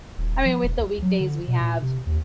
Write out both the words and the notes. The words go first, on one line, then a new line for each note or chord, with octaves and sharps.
I mean, with the weekdays we have
D#1
F3
E1
C#2
F#3
D3
B2
A#2
C3
D#2